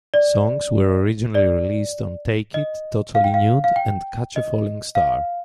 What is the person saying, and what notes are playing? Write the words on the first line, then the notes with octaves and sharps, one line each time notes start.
Songs were originally released on "Take It", "Totally Nude", and "Catch a Falling Star".
D5
D5
D#5
F5
G5
F5
F5
G5
D#5
F5